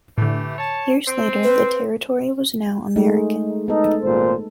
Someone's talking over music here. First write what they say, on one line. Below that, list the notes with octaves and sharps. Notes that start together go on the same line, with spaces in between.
Years later, the territory was now American.
A2 D3 E3 A3 G4
C#5 A5
C4
B4
G#3 A3 D#4
B3 D#4 A4
G#1 A#2 C5